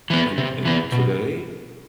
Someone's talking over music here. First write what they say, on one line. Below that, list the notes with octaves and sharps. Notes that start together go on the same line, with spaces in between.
and and today,
E3 B3
C3
E3 B3
B2